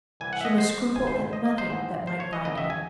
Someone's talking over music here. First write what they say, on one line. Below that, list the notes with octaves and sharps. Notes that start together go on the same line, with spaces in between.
She must scruple at nothing that might bind him.
C2 C3 E3 G#5
F#5
E5
D#5
C5
G#1 F#2 D#3 G#5
C5
C5
D#5
D#5
C5
G#2 E3 C4 D#4
C5
C#5
D#5
D#2 C#3 F#3 C4 D#5
E5
G#5